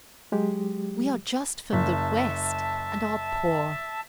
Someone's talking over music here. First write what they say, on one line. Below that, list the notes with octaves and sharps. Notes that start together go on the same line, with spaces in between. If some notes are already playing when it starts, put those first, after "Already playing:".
We are just from the West, and are poor.
F#3 G#3 G4
F#1 E5 A5